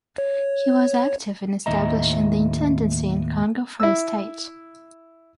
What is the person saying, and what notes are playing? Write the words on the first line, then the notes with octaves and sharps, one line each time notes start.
He was active in establishing the intendancy in Congo Free State.
C#5
D#2 A2 D#5 E5 A#5
E4 E6